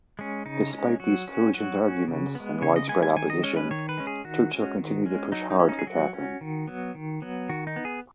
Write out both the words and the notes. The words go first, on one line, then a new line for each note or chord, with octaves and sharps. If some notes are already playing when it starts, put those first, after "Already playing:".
Despite these cogent arguments, and widespread opposition, Churchill continued to push hard for Catherine.
G#3 C#4
C#3 D#4
G#3 C#4
F#3 F#4
C#4
F#3 F#4
C#4
C#3
G#3 B3
C#3 C#5
D#5
G#3 B3 G#5
G#5
D#3 G#5
D#5
G#3 C#4 C#5
B4
D#3 C#5
B4
G#3 C#4
G#4
D#3 F#4
G#3 C#4
D#3
G#3 C#4
F#3 D#4
D#4
C#4
D#4
G#4
F#3 F#4
C#4
D#3
F#3 B3
D#3
F#3 B3
D#3 F#4
D#4
B3
G#4